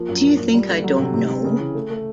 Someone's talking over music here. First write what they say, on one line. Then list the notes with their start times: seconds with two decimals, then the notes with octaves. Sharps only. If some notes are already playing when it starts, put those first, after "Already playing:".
Do you think I don't know?
Already playing: F3 A#3
0.09 F#2
0.24 A#2
0.39 A#2
0.54 G3
0.69 D3
0.84 F#3
0.99 C3
1.14 C3
1.29 C3
1.44 C#3
1.60 E3
1.75 A3
1.90 A3